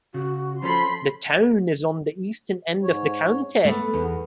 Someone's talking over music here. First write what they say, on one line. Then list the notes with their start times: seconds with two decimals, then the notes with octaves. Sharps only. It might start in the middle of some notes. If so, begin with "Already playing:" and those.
The town is on the eastern end of the county.
0.14 C#3 F#4
0.62 F3 C#4 A4 C5 B5 C6
2.83 G#2 C#5
3.65 A3 B3
3.94 E2